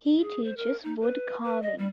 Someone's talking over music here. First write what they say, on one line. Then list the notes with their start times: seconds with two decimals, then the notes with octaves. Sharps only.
He teaches woodcarving.
0.20 G#4
0.44 C5
0.57 A#4
0.83 D#4
1.01 B4
1.44 B4
1.62 D#5
1.78 G3